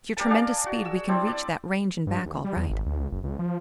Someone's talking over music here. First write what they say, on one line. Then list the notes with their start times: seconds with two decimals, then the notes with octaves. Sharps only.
With your tremendous speed we can reach that range and back all right.
0.17 D4 G4 A#4 A5
0.30 D4 G#4 D5 F5
0.66 F#4
0.85 E6
1.08 G3 C4 D4 E4
1.27 D5 E5
2.07 G2
2.26 D#2
2.44 G3
2.56 E2
2.69 G#1
2.86 D2
3.00 C#2
3.12 F#1
3.24 C#2
3.39 F3